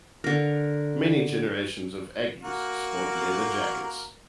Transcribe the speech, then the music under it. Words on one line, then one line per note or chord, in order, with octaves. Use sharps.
Many generations of Aggies sport leather jackets.
D3 A#4
A#3 F#4 A#4